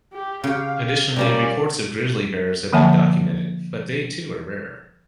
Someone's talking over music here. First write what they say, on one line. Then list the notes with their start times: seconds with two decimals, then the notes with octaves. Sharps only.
Additionally, reports of grizzly bears have been documented but they too are rare.
0.13 G4
0.44 C#3 G4 F5
1.16 A#2 G3 A#3 C#4 D5
2.73 D3 F3 A#3 E5 G#5 A5